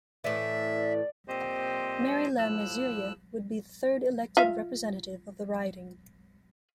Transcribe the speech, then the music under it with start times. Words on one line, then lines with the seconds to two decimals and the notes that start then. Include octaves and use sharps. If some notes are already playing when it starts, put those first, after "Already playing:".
Mary LeMessurier would be the third elected representative of the riding.
0.24 A2 E3 D5 E5
1.28 A#2 C4 G4 C5 D#5
2.38 A2 F3 E6 F#6
4.37 F4 E5 F5